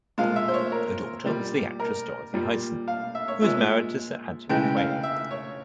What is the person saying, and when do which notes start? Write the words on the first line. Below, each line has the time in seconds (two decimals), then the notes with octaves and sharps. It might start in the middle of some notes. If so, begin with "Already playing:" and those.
Her daughter was the actress Dorothy Hyson, who was married to Sir Anthony Quayle.
0.18 A#2 F3 G#3 F5
0.36 E5
0.48 C5
0.54 C#5
0.72 A#4
1.26 A#2 G3
1.80 A#4
2.34 A#2 G3
2.88 F5
3.15 E5
3.28 C#5
3.42 A#2 F3 G#3 E5
4.49 C#3 E3 G#3 G5
4.77 F5
5.03 E5
5.31 C#5